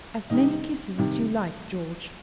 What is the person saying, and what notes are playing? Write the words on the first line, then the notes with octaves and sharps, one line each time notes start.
"As many kisses as you like, George."
C3 D#3 G3 D#4
C3 D#3 G3